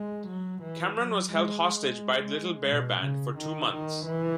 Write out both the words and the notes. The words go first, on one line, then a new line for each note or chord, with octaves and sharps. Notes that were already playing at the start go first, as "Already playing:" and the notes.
Cameron was held hostage by the Little Bear Band for two months.
Already playing: G#3
F#3
E3
F#3
G#3
G#3
B2
C#3
D#3
D#3
E3